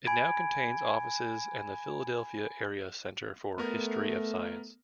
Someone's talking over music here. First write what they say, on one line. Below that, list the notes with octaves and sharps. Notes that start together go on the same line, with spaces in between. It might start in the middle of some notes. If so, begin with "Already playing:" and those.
It now contains offices and the Philadelphia Area Center for History of Science.
G#5 B5 G#6 D7
A3 B3 A#4